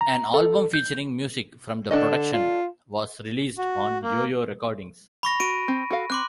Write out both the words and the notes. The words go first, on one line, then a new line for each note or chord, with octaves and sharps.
An album featuring music from the production was released on Yoyo Recordings.
A#5
A4
G6
D3 D4 A4 D#5
F4
F#4
A#3
B5 C#6 A#6
F#4 D7 D#7
C4
F#4 A4 F5
C4 C6 D6 F#6